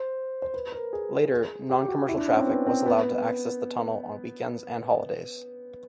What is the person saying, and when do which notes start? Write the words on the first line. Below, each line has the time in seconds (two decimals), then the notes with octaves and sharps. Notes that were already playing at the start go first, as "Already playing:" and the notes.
Later, non-commercial traffic was allowed to access the tunnel on weekends and holidays.
Already playing: C5
0.42 C5
0.54 B4
0.72 A#4
0.93 G#4
1.70 G4
1.88 F#4
2.09 E4
2.18 D4
2.28 C#4
2.37 C4
2.47 B3
2.67 C4
2.86 B3